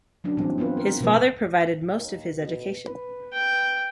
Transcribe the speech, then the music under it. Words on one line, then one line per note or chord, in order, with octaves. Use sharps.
His father provided most of his education.
F#3 C#4 D4
A#2 E3 G3 C4
B3 C4 F4 B4
A#4
B2 F3 G3 A#3 B4
D#2
B2
B4
G5